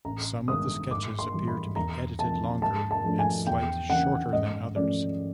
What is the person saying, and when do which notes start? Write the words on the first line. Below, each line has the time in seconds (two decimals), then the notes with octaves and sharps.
Some of the sketches appear to be edited longer and slight shorter than others.
0.05 A1 A#5
0.47 G2 D#3 G#3 B3 D#6
0.90 G#2 D6
1.19 C6
1.34 E3 G3
1.48 B5
1.76 E2 A#5
2.19 C3 F3 A5
2.62 G#2 A5
2.91 A5
3.04 F3 A3 D4
3.19 G#5
3.47 E2 G5
3.90 C#3 E3 F#5
4.33 G#2 D#5
4.76 F3 A3 C#4 D5